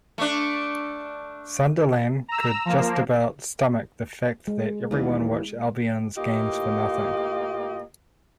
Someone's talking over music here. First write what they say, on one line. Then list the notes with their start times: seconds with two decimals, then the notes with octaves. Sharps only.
Sunderland could just about stomach the fact that everyone watched Albion's games for nothing.
0.18 A3 D4
2.28 A#5 E6
2.65 F3 A#3
4.48 G#3
4.91 D#2 E3 D5
6.17 A2 A#3 F4 G4 D#5